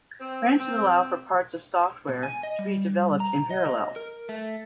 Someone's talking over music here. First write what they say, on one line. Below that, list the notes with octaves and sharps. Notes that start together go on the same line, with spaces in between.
Branches allow for parts of software to be developed in parallel.
C4
C4
B2
G#5
D#5
G3
A#5
D#5
A#4
A3